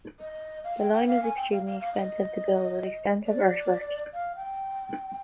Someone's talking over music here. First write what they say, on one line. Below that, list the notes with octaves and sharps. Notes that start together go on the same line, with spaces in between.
The line was extremely expensive to build with extensive earthworks.
D#5
F5
G5
G5
F5
G#5
G5
F5
F5
F5
D#5
D5
F5
G5